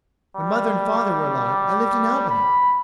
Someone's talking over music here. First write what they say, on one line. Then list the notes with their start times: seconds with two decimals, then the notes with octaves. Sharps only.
When mother and father were alive I lived in Albany.
0.37 G3
2.30 B5